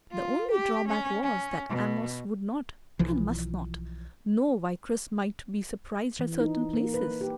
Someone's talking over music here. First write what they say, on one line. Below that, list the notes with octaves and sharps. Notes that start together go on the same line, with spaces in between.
The only drawback was that Amos would not, and must not, know why Chris might be surprised at certain places.
F4
G4
C#4
C#4
B2
B1 E3 F3
E3
D#4
A#3
B4
G4